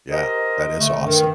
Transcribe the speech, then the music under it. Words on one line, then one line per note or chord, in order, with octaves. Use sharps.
Yeah, that is awesome.
G4 A#4 C5 D#5
D3 A3
G2 D#3